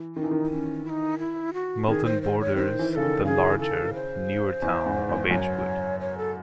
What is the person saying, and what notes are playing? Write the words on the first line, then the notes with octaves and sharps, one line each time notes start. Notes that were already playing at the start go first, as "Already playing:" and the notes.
Milton borders the larger, newer town of Edgewood.
Already playing: E3
D#3 D#4
E3
D#3
C#4
E4
D#4
E4
F#4
D#3 G#4
C5
C5
C#5
D#3 C5
E3
C5
C#3 A4
D#3
C#3 G#4
A4
C5
E2
G#2
E2
F#2 C#5
C#5
A4